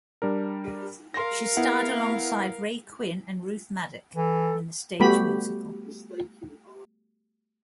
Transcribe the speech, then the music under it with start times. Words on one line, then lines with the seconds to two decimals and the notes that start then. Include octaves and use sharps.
She starred alongside Ray Quinn and Ruth Madoc in the stage musical.
0.22 G3 D4 A#4
1.14 A#4 F5 C6 A#6
1.57 B3 E4 F#5
4.16 E3 A4
5.00 G3 A3 B3 F#4 G4 B5